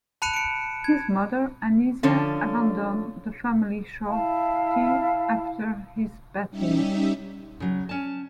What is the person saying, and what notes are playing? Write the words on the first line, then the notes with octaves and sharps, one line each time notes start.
His mother Anisia abandoned the family shorty after his baptism.
A5 B5 F#6 C#7 D#7 E7
C#7 D7
G#6
D3 F3 C#4
E4 F5 A5
G3 C#4 D#4 G4 E5
C#3 F#3
C#4 A5